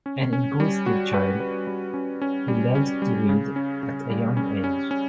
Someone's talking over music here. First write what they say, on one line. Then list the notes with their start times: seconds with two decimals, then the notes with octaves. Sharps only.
An inquisitive child, he learned to read at a young age.
0.06 C#4
0.33 C#4
0.60 G3
0.86 F#4
1.14 B4
1.40 B4
1.67 G3
1.94 C#4
2.22 C#4
2.48 G3
2.75 C#4
3.02 G3
3.29 C#3
3.56 C#4
3.83 C#3
4.10 G3
4.37 C#4
4.64 C#4
4.91 C#4